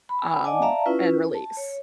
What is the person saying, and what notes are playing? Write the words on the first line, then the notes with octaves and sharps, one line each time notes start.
um, and release,
B5
D5 D#5 F#5 G#5 A5 D6
D5 E5 F5 A5 A#5
C#4 E4 F4 B4
A5
C#5